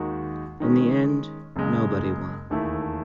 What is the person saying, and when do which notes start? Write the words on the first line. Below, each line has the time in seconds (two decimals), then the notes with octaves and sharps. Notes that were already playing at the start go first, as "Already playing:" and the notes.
In the end, nobody won.
Already playing: D#2 D#3 G#3 D#4 F#4
0.60 D#3 G#3 C#4
1.56 F#1 F#2 C#3 G#3
2.50 E1 D#2 D#3 A3 E4